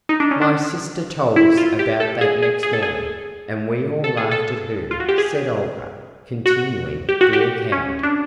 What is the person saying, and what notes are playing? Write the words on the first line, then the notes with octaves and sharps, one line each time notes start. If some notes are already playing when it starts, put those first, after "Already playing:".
"My sister told us about that next morning, and we all laughed at her," said Olga, continuing the account.
D#4
D4
C#4
D4
E4
F4
G4
A4
G#4
G#4
G#4
A4
G#4
A4
G#4
A4
F4
F#4
G4
G#4
F#4
G4
F#4
G4
C#4
D4